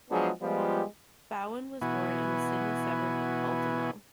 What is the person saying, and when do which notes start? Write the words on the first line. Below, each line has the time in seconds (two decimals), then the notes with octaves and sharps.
Bowen was born in the Sydney suburb of Ultimo.
0.10 F3 F#3 G#3 B3 D4 G#4
0.42 F3 G3 G#3 B3 F4 G4
1.82 B2 E3 B3 E4 F#4 G#5